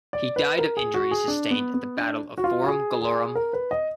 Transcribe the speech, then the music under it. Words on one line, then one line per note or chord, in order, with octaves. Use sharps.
He died of injuries sustained at the Battle of Forum Gallorum.
D5
B4
A#4
G#4
F#4
G#4
D4
B3
B3
D4
F#4
F4
F#4
G#4
G#4
A#4
B4
D#5